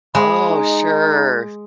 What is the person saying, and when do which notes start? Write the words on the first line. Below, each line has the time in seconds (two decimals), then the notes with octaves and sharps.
Oh, sure.
0.15 G#3 B5
0.49 D#4